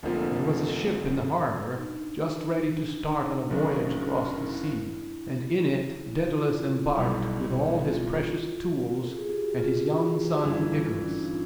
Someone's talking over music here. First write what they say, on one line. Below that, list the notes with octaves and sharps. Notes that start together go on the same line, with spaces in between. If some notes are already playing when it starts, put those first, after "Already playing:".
There was a ship in the harbor just ready to start on a voyage across the sea, and in it Daedalus embarked with all his precious tools and his young son Icarus.
F1 F2 D3 F3 A#3
D#4
D4
D#4
D#4
D4
F#1 F#2 D#3
E4
E4
F4
E4
B1 B2 G3
F4
A4
G#4
G4
F#4
F4
G1 G2 E3
C#4
D4
D#4
E4
F4